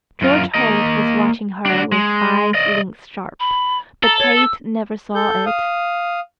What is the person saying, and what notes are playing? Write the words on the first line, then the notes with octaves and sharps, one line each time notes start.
George Holt was watching her with eyes lynx-sharp, but Kate never saw it.
F#2 F4
A#3 D#5
D4 F#4
G#3
D5 D#5
B5
A4 A#5
C#5
E6
A4 G6
F5 D#6